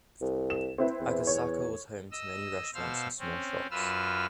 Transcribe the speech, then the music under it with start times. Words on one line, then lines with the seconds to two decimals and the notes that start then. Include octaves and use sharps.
Akasaka was home to many restaurants and small shops.
0.21 C2
0.50 E7
0.78 C4 E4 B4
1.01 E2
1.27 C#5
2.11 D#5 E6
2.74 B2 C5 F5 E6 F6
3.19 C4 C#4
3.71 F#2 F4 B4 E6 F6